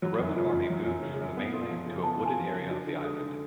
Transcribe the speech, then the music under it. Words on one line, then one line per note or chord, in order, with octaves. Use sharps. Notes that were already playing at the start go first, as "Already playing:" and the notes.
The Roman army moved from the mainland to a wooded area of the island.
F#3 F#4
F#2
C#3 F4
F#2
F#3
F#2
C#3
G#4
F#2
B3 A4
F4 A4
F3
C#3 C#5
B3 A5
F4
G#5
F3
C#5
C#3
D4 F#4
D3
G#3 A4
D3